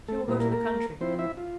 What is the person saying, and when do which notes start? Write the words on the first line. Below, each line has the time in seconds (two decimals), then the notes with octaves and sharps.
"She will go to the country."
0.08 A3 A4
0.28 A#2 G3 A#3 E4
0.40 A#3 A#4
0.52 A#3 A#4
1.00 F3 C4 E4 C5
1.19 E4 E5
1.37 F4